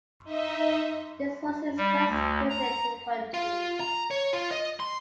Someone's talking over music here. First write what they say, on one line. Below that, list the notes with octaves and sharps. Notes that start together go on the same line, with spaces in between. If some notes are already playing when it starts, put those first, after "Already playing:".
This was his first visit to the country.
D#4 D#5 E5
G3
D2
A#5
F4
A#5
C#5
F4
D#5
C6